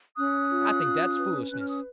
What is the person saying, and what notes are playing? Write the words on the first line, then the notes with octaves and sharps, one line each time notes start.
I think that's foolishness.
C#4 D#6 F#6
F4
C#4
B4
C#4 F#6
F6
D#6